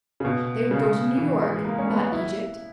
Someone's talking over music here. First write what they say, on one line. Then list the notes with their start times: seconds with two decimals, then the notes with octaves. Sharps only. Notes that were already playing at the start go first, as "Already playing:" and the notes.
They would go to New York, not Egypt.
0.20 C#3
0.25 B2
0.71 C#3
1.18 E3
1.41 G#3
1.56 G#3
1.65 A#3
1.78 C#4
1.88 B3
2.12 E4